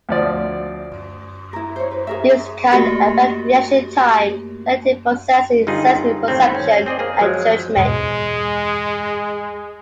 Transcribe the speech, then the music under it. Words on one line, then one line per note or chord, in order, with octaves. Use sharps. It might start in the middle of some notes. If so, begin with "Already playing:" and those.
These can affect reaction time, cognitive processing, sensory perception, and judgment.
D2 F3 D5
E4 A#4
C5 C#5
B4
G#4 A#4 E5
A3 A#3 F#4 G4 A#4
G1 G2 D#4 F4 G#4
D#2 A2 C4
C#4
C4 G#4 D5 D#5
A#3 G#4
F3 F#3 G#3
E2 G#2 B2 G#3